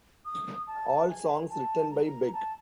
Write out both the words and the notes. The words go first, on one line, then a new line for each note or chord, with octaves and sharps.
All songs written by Beck.
D#6
A5
G#5
A5
A#5
A5